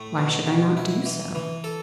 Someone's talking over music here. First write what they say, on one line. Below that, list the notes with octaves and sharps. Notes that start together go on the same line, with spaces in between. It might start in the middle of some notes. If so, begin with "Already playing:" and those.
"Why should I not do so?"
Already playing: A2 A3
B2
B2
E4
E3
E3
A4